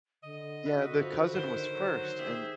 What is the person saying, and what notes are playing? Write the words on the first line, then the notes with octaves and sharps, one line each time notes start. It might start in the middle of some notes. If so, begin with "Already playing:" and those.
Yeah, the cousin was first and
D3 D#5
F#4 B4 E5
F3
D#3 C5
F#3
G4 G#4 E5